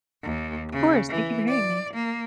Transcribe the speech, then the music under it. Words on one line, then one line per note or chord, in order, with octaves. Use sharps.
Of course. Thank you for hearing me.
D#2
C#3
E3
D5
A#3